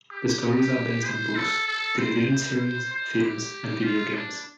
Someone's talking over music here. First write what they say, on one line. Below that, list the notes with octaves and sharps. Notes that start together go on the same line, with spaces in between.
The stories are based on books, television series, films, and video games.
G4
C5
A4
A4
C5
C5
G4
F4
D4